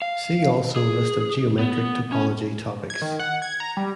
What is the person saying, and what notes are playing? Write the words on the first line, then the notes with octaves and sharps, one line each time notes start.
See also list of geometric topology topics.
F5
G#4
B3
C#4
G#6
D#3
F#5
G#6
A#5
G3